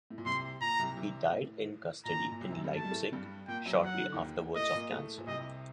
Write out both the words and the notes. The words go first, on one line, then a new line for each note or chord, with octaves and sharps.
He died in custody in Leipzig shortly afterwards of cancer.
A2
A#2
C2 C3 C6
A#2 A#5
C2 C3
C2 C3
A2
A#2 A#5
A2
A#2
C2 C3
F#2 F#3
G2 G3
A3 A5
G3
A2 A3
G2 G3
A#2 A#3 G5
F#2 F#3
F#3 F#5
D#3
D3
D#2 D#3
A2 A3 D#5
A#2 A#3
A2 A3
A#2
C2 C3 D#5